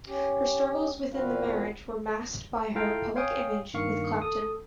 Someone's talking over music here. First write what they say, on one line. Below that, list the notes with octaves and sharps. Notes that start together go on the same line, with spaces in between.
Her struggles within the marriage were masked by her public image with Clapton.
C#4 G4
E2 A#2 C4 F#4 B4 F5
E4 F4 A4 F5 G5 A#5
C#5 F5 G5 G#5 D#6
G2 D#3 A#3 F5 C#6 C#7
A4 D#6